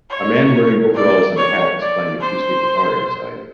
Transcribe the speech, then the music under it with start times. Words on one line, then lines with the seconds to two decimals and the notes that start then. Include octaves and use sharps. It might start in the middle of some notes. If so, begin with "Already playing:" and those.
A man wearing overalls and a hat is playing acoustic guitar outside.
0.10 C#5
0.95 D5
1.36 C#5
1.80 D5
2.21 C5